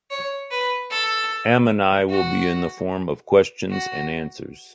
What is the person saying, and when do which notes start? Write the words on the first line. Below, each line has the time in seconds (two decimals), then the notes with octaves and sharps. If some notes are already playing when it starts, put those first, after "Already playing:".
Ammanai will be in the form of questions and answers.
0.11 C#5
0.50 B4
0.90 A4
2.09 F#4
3.70 F#4